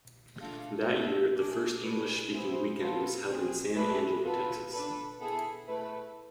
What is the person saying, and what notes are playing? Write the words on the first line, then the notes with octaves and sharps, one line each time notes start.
That year the first English-speaking weekend was held in San Angelo, Texas.
A3 D4 F4 A4 F5
C4 F4 A4 E5
A3 D4 G#4 D5
D4 G#4 B4
B3 E4 G#4 C5
B3 F4 A4
C4 G#4
A3 D4 G#4 B4
B3 F4 A4 B4
D4 A4 B4
B3 E4 G#4 A4
A3 E4 A4 B4